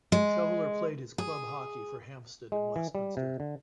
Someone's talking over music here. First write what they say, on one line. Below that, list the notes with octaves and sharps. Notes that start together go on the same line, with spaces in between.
Shoveller played his club hockey for Hampstead and Westminster.
G#3
G#4
G#3
E3
G3
C3
D3